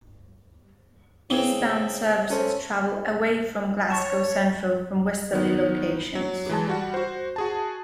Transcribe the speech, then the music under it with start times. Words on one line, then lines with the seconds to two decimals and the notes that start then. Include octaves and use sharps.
Eastbound services travel "away from" Glasgow Central from westerly locations.
1.30 C#3 C4 E4 B4
2.30 C#4 A4 C5 E5
3.90 C#5 A5 C#6 A6
5.33 D#3 B3
6.15 F#3
6.49 E3 G#3 A5
6.67 G3 F#4 F#5
6.94 F#4 C5
7.36 F#4 G#4 A5